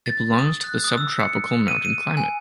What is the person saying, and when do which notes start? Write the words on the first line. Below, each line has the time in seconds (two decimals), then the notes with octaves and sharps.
It belongs to the subtropical mountain climate.
0.06 A6
0.39 D#6
0.64 F#6
0.84 D#6
0.98 E6
1.20 C#7
1.68 D#7
1.85 D#7
2.17 G#5